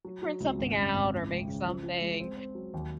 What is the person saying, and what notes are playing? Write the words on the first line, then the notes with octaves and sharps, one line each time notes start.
print something out or make something
F#3
F#3
C#2
G#1
F#2
G#1
C#3
C#2
C#3
F3
F3
G#3
C4
C4
F#3
D#2